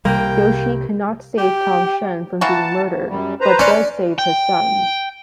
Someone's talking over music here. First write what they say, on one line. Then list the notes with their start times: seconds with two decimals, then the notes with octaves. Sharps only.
Yoshi cannot save Tang Shen from being murdered, but does save his sons.
0.05 C2 G3 A#3 G5
1.38 G4 G5
2.41 E3 A#3 F#4 A5
3.09 F#2 G3
3.41 B4 C5 A#5
3.59 C#4 D4 D5
4.18 G5